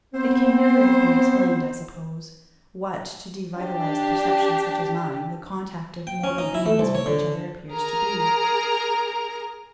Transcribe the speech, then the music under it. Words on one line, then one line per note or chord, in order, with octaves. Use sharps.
It can never have been explained, I suppose, what, to devitalized perception such as mine, the contact of mortal beings with each other appears to be.
B3 C4 C5
D4 G4
G5
C#4
D#4
E4
A3
C2
C#5
D3
G#4 A#4 A#5